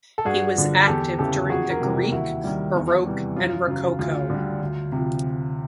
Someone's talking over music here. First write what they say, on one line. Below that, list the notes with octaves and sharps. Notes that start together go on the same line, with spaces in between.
He was active during the Greek Baroque and Rococo.
A4
G2 F#4 G#4
D3 F3
E2 G4 A4
C#3 E3 G4 A4
F2 F#4 G#4
G#4 A#4
C3 E3 G3
D#2 E4 F#4
D#3 G3
E2
C3 E3 G3
F#2 F4
C#3 F#3
D2 F4
D3 G3
D2
C3 F3